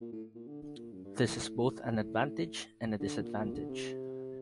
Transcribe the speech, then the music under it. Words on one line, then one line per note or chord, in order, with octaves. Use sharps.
This is both an advantage and a disadvantage.
A#2
A2
A#2
D3
D3
A#2
F#2
G2
A2
A2
A2
D3
A#2
A#2
D3
C3